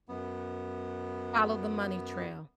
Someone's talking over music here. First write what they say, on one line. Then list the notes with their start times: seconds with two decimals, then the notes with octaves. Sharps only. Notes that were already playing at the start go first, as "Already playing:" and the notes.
Follow the money trail.
0.09 F#2 B3